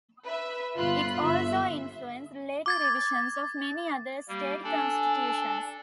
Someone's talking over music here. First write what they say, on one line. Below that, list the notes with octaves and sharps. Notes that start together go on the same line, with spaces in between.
It also influenced later revisions of many other state constitutions.
B4 E5
G1 F4 B5 C6 F#6
G1 E5
D6 G#6 A6
G3 A#3 G4
D4 A4 D5 G#5